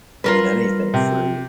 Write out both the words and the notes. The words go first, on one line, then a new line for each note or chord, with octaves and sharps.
I mean, anything free.
G3 F4 A#4 B4
C3